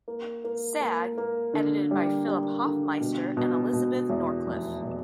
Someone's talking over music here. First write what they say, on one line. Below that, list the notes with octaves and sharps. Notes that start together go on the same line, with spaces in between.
Sag, edited by Philip Hofmeister and Elisabeth Norcliffe.
A#3
A#3
A#3
A#3
D3
G3
G3
D3
B2
B2
B2
E2
F1
B2